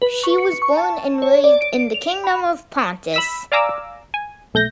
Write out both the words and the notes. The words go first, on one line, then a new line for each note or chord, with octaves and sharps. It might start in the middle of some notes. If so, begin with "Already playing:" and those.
She was born and raised in the Kingdom of Pontus.
B4
C#6
C#7
C#6
A5
C#5
D5
D7
F7
B5
B5 E6 B6
D5 F5 G#5 A#5 D6 E6
G#5
B1 A3 G6 A#6